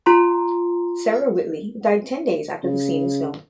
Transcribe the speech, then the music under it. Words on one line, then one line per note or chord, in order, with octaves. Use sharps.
Sarah Whitley died ten days after the scene was filmed.
F4 A#5 C6
C#3